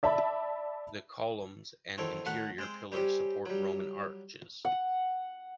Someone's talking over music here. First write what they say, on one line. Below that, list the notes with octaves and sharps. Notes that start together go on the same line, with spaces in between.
The columns and interior pillars support roman arches.
D5 E5 A5 B5
E2 D#3 C4 A4 C#5
A2 D#3 F#4 F#5 A5
G#3 C4 C5
G3 C4 C#4 G4
F#3 G3
F#5